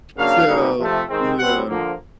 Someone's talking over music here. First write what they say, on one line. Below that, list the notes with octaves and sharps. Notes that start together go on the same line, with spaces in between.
So, yeah.
C#3 F#3 A#3 D4 F5
B2 G3 A#3 D#4
C3 F3 A3
D#3 G#3 C4
B2 G3 C4 F#5
D3 F3 A#3